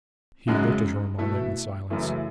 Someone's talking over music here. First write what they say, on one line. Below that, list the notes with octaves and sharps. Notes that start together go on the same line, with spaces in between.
He looked at her a moment in silence.
F#2 C#3 G#3 D#4 F#4
B2 A3 E4 A4
F#2 C#3 E3 A3